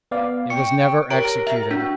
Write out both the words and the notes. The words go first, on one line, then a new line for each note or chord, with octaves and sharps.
"It was never executed."
B3 D5 F5
G5 C#6 C#7
G4 A#4 C#5 A#5 D7
E5
D4 F#4